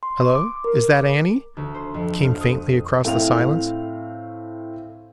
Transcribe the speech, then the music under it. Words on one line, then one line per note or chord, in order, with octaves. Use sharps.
'Hello, is that Annie?' came faintly across the silence.
C6
D6
A#4
D2
C5
F2
F5
D#6
A2 A3 C4 F5 F7